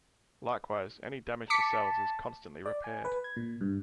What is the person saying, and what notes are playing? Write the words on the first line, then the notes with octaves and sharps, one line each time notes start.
Likewise, any damage to cells is constantly repaired.
A5 D6 B6 C#7
D5
G#5
B4
G#6
A#2
G2